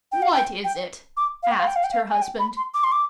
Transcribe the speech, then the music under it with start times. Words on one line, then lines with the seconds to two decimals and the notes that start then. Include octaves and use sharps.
"What is it?" asked her husband.
0.12 G5
0.22 F5
0.33 G5
0.64 G5
1.17 D6
1.43 F5
1.51 G5
1.60 F5
1.67 G5
1.76 F5
1.84 G5
1.92 F5
2.10 G#5
2.22 G5
2.39 B5
2.57 C6
2.74 D6
2.84 C6
2.92 D6